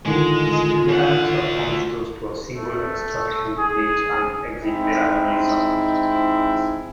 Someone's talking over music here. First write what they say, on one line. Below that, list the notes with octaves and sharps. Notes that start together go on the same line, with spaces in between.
The ions are formed close to a single extraction plate and exit the ionizer.
A2 D3 D#3 G#3 F4
D2 F#5
A3
G#4
G#3 C4 D#4 E4